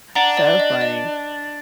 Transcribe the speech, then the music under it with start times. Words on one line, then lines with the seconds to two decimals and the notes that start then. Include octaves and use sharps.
so funny.
0.15 D4 F#5 A#5
0.37 D5
0.60 D#5
0.81 D#5